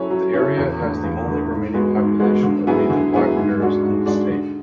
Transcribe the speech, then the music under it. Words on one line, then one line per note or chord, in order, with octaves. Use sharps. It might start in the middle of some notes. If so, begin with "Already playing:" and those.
The area has the only remaining population of native black bears in the state.
Already playing: F#3 C#4 E4 A4
F#3
C#4 E4 A4
E2
D3 A3
E2
D3 A3
G#2
G#3 B3 F#4
G#2
G#3 B3 F#4
D3
F#3 B3 E4 G#4
D3
F#3 B3 E4 G#4
G#2
G#3 D4 F#4
G#2
G#3 D4 F#4
D3